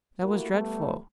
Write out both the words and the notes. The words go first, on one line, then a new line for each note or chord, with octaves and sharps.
That was dreadful.
A3 A#3 E4 F#4 G4 A#4
G3 A3 B3